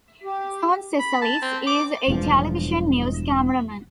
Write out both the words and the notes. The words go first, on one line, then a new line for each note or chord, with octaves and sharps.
John Cassellis is a television news cameraman.
G4
B5
A5
C4
D6
E1 E2 G2 F3